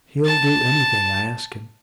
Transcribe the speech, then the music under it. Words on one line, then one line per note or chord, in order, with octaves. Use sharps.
He'll do anything I ask him.'
A5